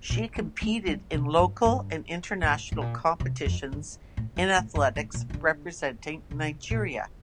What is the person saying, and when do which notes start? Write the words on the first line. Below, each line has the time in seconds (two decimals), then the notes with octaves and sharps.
She competed in local and international competitions in athletics representing Nigeria.
0.10 A#2
0.36 A3
0.62 A3
0.87 G3
1.14 C3
1.38 G2
1.65 G2
2.43 A2
2.72 A2
2.81 A#2
3.20 C3
3.46 F2
3.72 G2
4.17 A2
4.36 F2
4.57 A2
4.75 G2
4.96 A2
5.14 A#2
5.30 E3
5.34 D3
6.31 C3
6.70 A#2